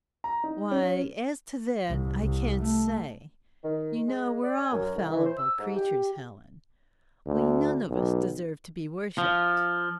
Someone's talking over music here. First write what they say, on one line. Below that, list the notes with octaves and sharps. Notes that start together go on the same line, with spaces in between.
'Why, as to that, I can't say: you know we're all fallible creatures, Helen; we none of us deserve to be worshipped.
A#5
D#4
C#4
C2
C2
A3
D#3
G#3
D5
G#5
F#2
C2
E3
C5
E6
G#2
G4
D2
B1
F3